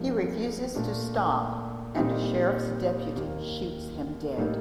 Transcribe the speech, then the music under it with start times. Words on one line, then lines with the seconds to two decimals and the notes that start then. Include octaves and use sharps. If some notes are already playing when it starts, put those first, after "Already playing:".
He refuses to stop and a sheriff's deputy shoots him dead.
Already playing: G2 F3 A#3 D#4
0.75 A#2 A3 D4
1.95 A#2 G3 C4 D#4
3.16 D#2 D#3 A#3
4.37 A2 G3 A#3 D#4 A4